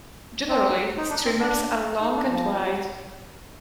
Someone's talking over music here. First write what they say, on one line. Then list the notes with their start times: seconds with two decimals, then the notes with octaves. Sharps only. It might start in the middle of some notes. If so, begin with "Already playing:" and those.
Generally, streamers are long and wide.
0.49 C4
0.98 D#4
1.10 D4
1.25 C4
1.40 D4
2.01 D#4
2.17 D4
2.31 F3